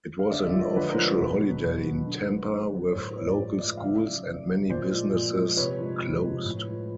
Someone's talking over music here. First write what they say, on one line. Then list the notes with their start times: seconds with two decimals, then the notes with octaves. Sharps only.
It was an official holiday in Tampa, with local schools and many businesses closed.
0.19 F5
0.31 D3 D5 E5
0.47 D5 E5
0.53 F3 G#3
0.60 C#5 D#5
0.75 D3 B4 C#5
0.90 A#4 C5
0.97 F3 G#3
1.05 B4
1.19 B2 B4
1.41 F#3
1.63 B2
1.85 F#3
2.06 D3
2.28 F#3
2.50 D3
2.72 F#3
2.88 C#5
2.94 A2 A#4 C5
3.05 B4
3.16 F3 G#3 B4 C#5
3.27 C5 D5
3.38 A2
3.60 F3 G#3 D5 E5
3.77 F5
3.82 C#3 D5 E5
4.04 F#3
4.26 C#3
4.47 F#3
4.70 A#2 C5 D5
4.91 F3 G#3
5.13 A#2
5.35 F3 G#3
5.57 C3 B4 C#5
5.79 F3 G#3
6.01 C3
6.22 F3 G#3
6.44 A2
6.66 F3 G#3